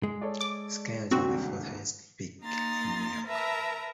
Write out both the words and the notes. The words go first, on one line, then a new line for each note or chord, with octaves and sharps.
Skylight is the fourth highest peak in New York.
G#3
A4 C#5 D5
D6
D#1 C2 D3 C4 F#4
A#3 D#4 A#5 C6 A6
A#4 B4 E5 A5 A#5